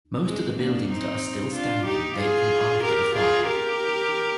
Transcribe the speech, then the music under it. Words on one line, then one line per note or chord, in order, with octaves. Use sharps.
Most of the buildings that are still standing date from after the fire.
G#3 C4
A#3 D4
C4 D#4
D4 F4
D#4 G4
F4 G#4
G4 A#4
F4 G#4
G4 A#4